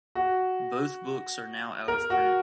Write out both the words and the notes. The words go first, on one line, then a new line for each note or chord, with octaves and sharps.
Both books are now out of print.
F#4
A#4
F#4